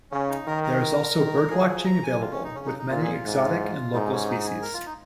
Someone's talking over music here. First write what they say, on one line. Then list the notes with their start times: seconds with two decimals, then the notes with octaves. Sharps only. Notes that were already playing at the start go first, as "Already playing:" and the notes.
There is also bird watching available with many exotic and local species.
0.12 C#3 C#4
0.29 D#4
0.47 D#3 A#4
0.64 A#4
1.16 D#3
1.50 F3 G#4
1.68 G#4
1.86 A#5
2.03 G#5
2.21 F4
2.31 C#4
2.44 D#4
2.55 C#3 C#4
2.66 D#4
2.79 D#4
2.90 A#2 F4
3.01 G#4
3.13 F4
3.25 G#2
3.94 G#2 D#4
4.11 C#4
4.28 D#4
4.45 G#4
4.62 A#4
4.74 F4
4.86 D#4